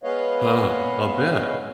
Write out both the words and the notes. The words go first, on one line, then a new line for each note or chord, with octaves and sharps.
Huh, I'll bet.
G#3 B3 B4 C#5 D#5 F5